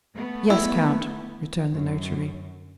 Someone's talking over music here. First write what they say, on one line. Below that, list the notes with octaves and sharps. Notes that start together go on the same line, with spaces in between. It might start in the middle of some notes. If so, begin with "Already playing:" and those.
"Yes, count," returned the notary.
A3 B3
E4
F#2